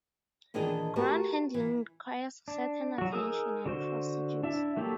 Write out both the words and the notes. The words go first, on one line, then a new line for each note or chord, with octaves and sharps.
Ground handling requires certain attention and procedures.
A#2 D#3 E3 D4 G#4 D#5
A3 F#4 G4 A#4
E3
D4
F#3 F#4
D#4 G#4 A#4 D#6 E6
D3 F#4 C5
D4 E4 E5
F#3 A3 A#3 G4 A4